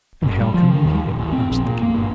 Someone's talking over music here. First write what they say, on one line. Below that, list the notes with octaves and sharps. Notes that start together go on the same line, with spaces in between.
"And how come you here?" asked the king.
F#1
G3
F3
D#3
D#2
D#1
A1
C4
A#1
A#2
A#3
G1